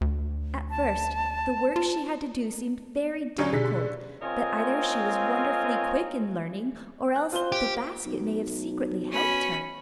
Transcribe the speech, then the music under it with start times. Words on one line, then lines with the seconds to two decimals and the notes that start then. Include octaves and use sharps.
At first the work she had to do seemed very difficult, but either she was wonderfully quick in learning, or else the basket may have secretly helped her.
0.01 D2
0.70 A5
1.76 F4
3.38 D2 F#3 C#4 G4 D5
3.53 B2 D3 G#4 B6
4.21 C4 F4 A#4 C#5 D#5 G#5
7.16 F#6
7.32 F4 C5 G7
7.52 G4
8.06 B1
9.11 B2 C#4 B5